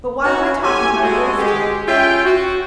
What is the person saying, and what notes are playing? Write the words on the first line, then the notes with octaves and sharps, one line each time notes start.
But why am I talking about those two?
C#4 F#4
A2 F#3 G4 C#5 G#5
G#3 F#4 A4
G#3 G4
C#4 F4 E5 G5
F#4